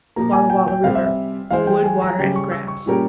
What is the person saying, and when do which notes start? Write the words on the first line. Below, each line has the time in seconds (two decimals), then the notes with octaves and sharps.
Wallah Wallah River.--Wood, water, and grass.
0.16 A#2 F3 A#3 A#5
0.33 G#5
0.50 G5
0.68 G5
0.84 C3 G3 C4 G4 F5
0.95 E5
1.06 E5
1.51 E3 G#3 E4 G#4 C5 F5
1.67 G5
1.84 G#5
2.02 A#5
2.18 C#3 G3 C#4 G4
2.36 C#6
2.52 E6
2.68 C#6
2.86 A#2 G3 C#4 G4 A#4